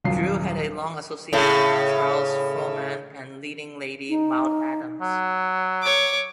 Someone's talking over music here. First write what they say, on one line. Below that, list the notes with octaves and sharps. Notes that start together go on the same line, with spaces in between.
Drew had a long association with Charles Frohman and leading lady Maude Adams.
D#1 F#2 F4 C7
A2 C#3
D#4
F#3
C#5 D6